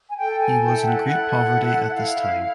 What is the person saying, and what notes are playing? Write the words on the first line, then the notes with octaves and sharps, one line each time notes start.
He was in great poverty at this time.
G#5
A4 G5
G#5
E4 G5
F#5
A4 F#5
E4
E5
E4 F5
E4